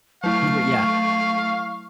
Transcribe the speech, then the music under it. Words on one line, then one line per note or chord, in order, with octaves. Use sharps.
M great, yeah.
F#3 A3 E4 F5 C#6